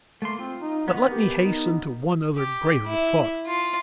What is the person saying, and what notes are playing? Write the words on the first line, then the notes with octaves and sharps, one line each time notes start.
But let me hasten to one other greater thought.
A3 A#3 C6
C4 F4
D#4
D#3 B3 A#4 B4
G4
D#4
G4
E4
F4